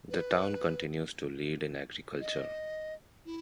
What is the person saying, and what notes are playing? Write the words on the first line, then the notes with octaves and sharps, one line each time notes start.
The town continues to lead in agriculture.
B4
D#5
E4